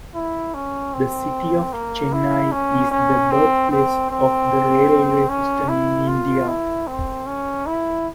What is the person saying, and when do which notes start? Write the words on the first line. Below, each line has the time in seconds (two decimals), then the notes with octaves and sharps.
The city of Chennai is the birthplace of the railway system in India.
0.14 E4
0.54 C#4
0.94 C4
1.73 A#3
2.13 E4
2.52 C#4
2.91 C#4
3.31 C4
3.71 C4
4.10 C4
5.29 C#4
5.69 E4
6.08 F4
6.48 E4
6.87 C4
7.27 C#4
7.66 E4